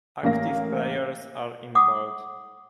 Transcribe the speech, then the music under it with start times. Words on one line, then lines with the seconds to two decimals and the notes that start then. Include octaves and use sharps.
Active players are in bold.
0.23 A1 A#3 F5 A#6
1.75 F#5 D6 D#6